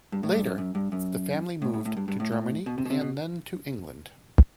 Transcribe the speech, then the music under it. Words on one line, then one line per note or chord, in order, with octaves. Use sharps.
Later, the family moved to Germany and then to England.
G2
A2
G2
F#2
F#2
G2
F#2
A2
A2
A2
G2
G2
A2
A2
B2
C3
B2
C3
B2